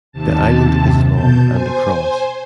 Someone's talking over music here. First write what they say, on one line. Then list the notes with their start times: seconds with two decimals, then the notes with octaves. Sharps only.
The island is long and across.
0.12 D#2 C3 A5
1.13 B2 A5 G6
1.51 C5 G#5